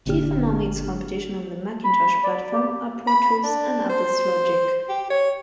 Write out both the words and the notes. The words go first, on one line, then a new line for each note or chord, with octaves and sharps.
Chief among its competition on the Macintosh platform are Pro Tools and Apple's Logic.
G1 A#2 D3 D4 G4 F6
B5
D5
G4
B5
D4
C5
G4
C#5